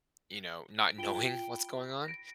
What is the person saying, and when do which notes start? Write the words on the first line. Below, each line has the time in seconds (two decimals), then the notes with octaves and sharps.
you know, not knowing what's going on
0.80 D7
0.98 F4 G5 D7 G7
1.51 B5
2.04 A#6 D7